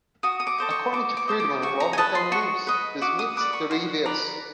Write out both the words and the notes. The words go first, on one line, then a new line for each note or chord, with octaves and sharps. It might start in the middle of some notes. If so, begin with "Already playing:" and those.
According to Freedman I loved the family names - the Smiths, the Reivers.
F#4 D#6
D#6
D6
A4 C5 D#5
C#6
F#4 D6
D6
A4 C5 D#5
D6
F#4 C#6
A#5
G#5
B4 D#5 A5
C6
F#4 C#6
B4 D#5
F#4 D6
D#6
B4 D5 D6
C#6
F#4 C6
B4 D5 A#5